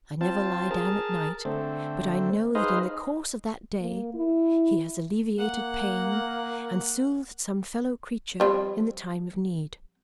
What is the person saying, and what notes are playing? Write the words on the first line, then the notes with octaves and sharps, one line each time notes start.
I never lie down at night but I know that in the course of that day he has alleviated pain and soothed some fellow-creature in the time of need.
C4 F4 A5
G#4 A#4 A5
D3 A3 C4
D#4 G#4 B4 C5 D#5 F5
A#3
E4
A#3 F#5
F3 G3 C4